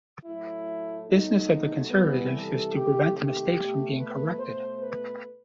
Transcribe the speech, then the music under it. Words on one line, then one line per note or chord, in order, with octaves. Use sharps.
The business of the Conservatives is to prevent the mistakes from being corrected.
A2 F#3 A3 E4
B2 F#3 A3 D#4
C3 E3 G3 B3
A4
C3 D#3 A3 G4
G4
B2 A3
B4
B2 A3 C5
B4